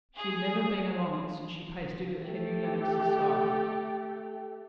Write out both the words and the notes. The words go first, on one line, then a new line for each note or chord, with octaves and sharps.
She had never been along it since she paced it at Henry Lennox's side.
G#4
A3 G4